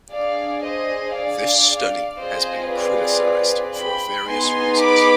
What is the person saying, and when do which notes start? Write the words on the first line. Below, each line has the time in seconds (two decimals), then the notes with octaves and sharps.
This study has been criticized for various reasons.
0.11 D4 G#4 D5 F5
0.63 C5 D#5
1.16 D5 F5
2.20 C4 F4 G#4 C5 D#5
2.72 B4 D5
3.76 G5 B5
4.29 B3 D#4 G#4 G#5 C6
4.81 B5 D6